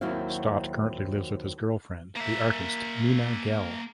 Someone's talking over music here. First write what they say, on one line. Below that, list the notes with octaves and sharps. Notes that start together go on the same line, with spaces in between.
Stott currently lives with his girlfriend, the artist Nina Gehl.
D#2 F#3 C4 E4 F#4 F5
A#3 E5